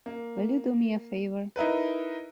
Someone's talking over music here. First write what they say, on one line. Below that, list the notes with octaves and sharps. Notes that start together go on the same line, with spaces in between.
Will you do me a favour?
A#3
D#4 E4 A#4 B4